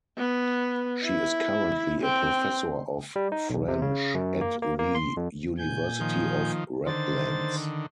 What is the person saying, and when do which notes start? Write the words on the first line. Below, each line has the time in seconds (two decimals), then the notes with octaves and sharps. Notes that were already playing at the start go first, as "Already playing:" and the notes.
She is currently a professor of French at the University of Redlands.
0.18 B3
1.04 E4
2.01 C4
3.16 G3
3.32 D#4
3.50 B1
3.68 C3
3.82 C#3
4.15 F#2
4.41 A#3
4.62 A#3
4.79 A#3
4.95 C6
5.17 F2
5.58 A#2 G#5 G6
6.01 D#3 F3
6.86 D3 D#3 C5 A6